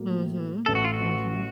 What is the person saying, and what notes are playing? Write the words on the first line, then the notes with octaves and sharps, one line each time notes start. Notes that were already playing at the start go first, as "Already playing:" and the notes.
Mhm. Mhm.
Already playing: A2 F#3 A#3
A1 A2 A3 A4
F#4
F4
F#4